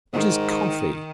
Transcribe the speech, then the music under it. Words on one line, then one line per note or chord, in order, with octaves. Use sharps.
What is Coffee?
G#2 D#3